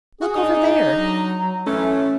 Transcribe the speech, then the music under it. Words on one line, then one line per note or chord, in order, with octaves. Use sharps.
Look over there!
F#4 G#4
D4 D#4
F#3 A#5
E3 A3 C#4